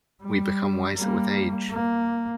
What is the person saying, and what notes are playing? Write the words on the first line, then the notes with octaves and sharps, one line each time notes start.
We become wiser with age.
G3
G3 A#3
A#3